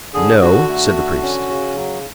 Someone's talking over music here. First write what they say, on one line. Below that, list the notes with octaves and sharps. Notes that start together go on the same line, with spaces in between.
"No," said the priest.
D3 G#4
D3 F#4
A3
D3
C#4
C#3
F#3